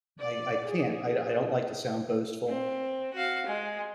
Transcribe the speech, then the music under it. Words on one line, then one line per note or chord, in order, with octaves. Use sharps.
I I can't, I I don't like to sound boastful
D5
G#4
C4
F#4 F5
G#3